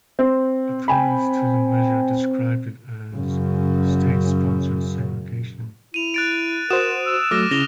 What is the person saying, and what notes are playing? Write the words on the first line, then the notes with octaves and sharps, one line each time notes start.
Opponents to the measure described it as "state-sponsored segregation".
C4
C4 G5 G#5 B5
F#2 C#3
E4 D#7 F7
F#6 A6 D7
F#4 A#4 C5 D#6 E7
E6
F#3 A3 D6 F6 A#6
C#3 E4 A#6 F7 G7